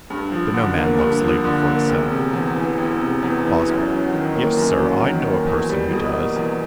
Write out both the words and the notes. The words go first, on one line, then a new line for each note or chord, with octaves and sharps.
But no man loves labour for itself.' BOSWELL. 'Yes, Sir, I know a person who does.
G2
F3
D3
A#3
G2
F3
D3
A#3
E1
C3
E2
E3
E1
C3
E2
E3
F#2
F#3
D#3
A#3
F#2
F#3
D#3
A#3
E2
G3
B2
A#3
E2